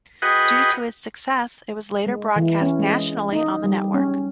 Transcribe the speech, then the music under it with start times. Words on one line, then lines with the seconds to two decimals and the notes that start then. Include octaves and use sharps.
Due to its success, it was later broadcast nationally on the network.
0.22 F#4 G#4 B4 D#5 F#5 G5
2.06 G#3
2.36 E3
2.61 C#4
2.79 G#3
3.32 D#4
3.64 G3
3.94 C#4